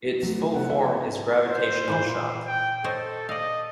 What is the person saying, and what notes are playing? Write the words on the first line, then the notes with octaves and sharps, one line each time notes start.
Its full form is Gravitational Shock.
F3 F#3 A3
C3 C#4 D#4 A4 F#5
E5
C5
A#2 E3 B4
G5
A4 C5 C#5 D#5
D5 D#5 F5